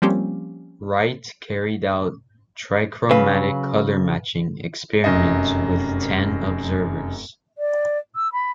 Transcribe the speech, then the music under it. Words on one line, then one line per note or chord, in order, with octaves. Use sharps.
Wright carried out trichromatic color matching experiments with ten observers.
F3 G3 A#3 C4 C#4 G4
C#3 F#3 B4 F5
F1 F#2 D#5
D5
E6
B5